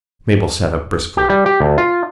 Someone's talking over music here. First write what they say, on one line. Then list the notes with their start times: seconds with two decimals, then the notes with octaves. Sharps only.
Mabel sat up briskly.
1.17 G4
1.30 G3
1.46 G4
1.60 D2
1.78 F4